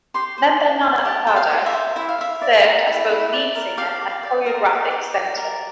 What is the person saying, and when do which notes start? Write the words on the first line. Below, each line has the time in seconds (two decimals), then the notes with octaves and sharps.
Member Nana Okada served as both lead singer and choreographic center.
0.14 G4 C6
0.38 C5
0.60 G4
0.83 C5
1.05 G4 A5
1.27 C5 G5
1.36 F5
1.51 G4
1.66 E5
1.73 C5
1.96 E4 E5
2.09 F5
2.18 E4 E5
2.42 D5
2.64 A#4
2.87 E4
3.10 E4
3.33 D5
3.55 A#4
3.77 G4 F5
4.01 G4
4.23 D5
4.46 A#4
4.68 G4
4.91 G4
5.14 D5
5.37 A#4